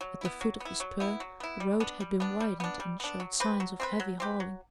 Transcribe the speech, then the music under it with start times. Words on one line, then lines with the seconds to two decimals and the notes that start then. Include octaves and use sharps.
At the foot of the spur the road had been widened and showed signs of heavy hauling.
0.01 F#3
0.21 B3 E4
0.41 F#3
0.60 B3 E4
0.80 F#3
1.00 B3 E4
1.20 F#3
1.40 B3 E4
1.60 G3
1.80 B3 D4
2.00 G3
2.20 B3 D4
2.40 G3
2.60 B3 D4
2.80 G3
3.00 B3 D4
3.20 F#3
3.40 C4 G4 B4
3.60 F#3
3.80 C4 G4 B4
4.00 F#3
4.20 C4 G4 B4
4.40 F#3